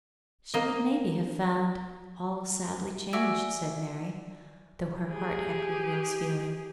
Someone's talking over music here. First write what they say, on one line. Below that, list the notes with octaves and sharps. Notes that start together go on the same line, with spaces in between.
"She would may be have found all sadly changed," said Mary, though her heart echoed Will's feeling.
A#3 D#5
F#4 D5 E5 G#5
G4 G#4